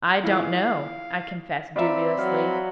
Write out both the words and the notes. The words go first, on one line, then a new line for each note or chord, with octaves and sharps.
"I don't know," I confessed dubiously.
E3 F3 G#3 F5
C4 F4 D5 E5 A#5 B5
F#3 F5